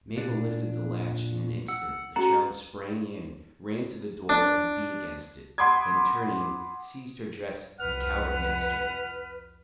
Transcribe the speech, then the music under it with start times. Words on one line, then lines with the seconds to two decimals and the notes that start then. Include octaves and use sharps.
Mabel lifted the latch in an instant; the child sprang in, ran to the door and beat against it, then turning, seized her dress and cowered against her.
0.16 A#2 D4
1.68 F#5 E6
2.16 C#4 F#4 A4 F#5 A#5
4.29 D4
5.58 F#5 B5 C6 D6 D#6 G#6
7.80 C2 F2 B4 F#5 F6